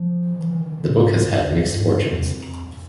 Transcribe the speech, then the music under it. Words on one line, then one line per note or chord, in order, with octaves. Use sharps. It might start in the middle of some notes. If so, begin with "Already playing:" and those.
The book has had mixed fortunes.
Already playing: F3
E3
E3
D#3
D#3
D3
A#2
A2
G#2
G2
F2
F2
F#2
G2
G#2
G2
F#2
E2
F2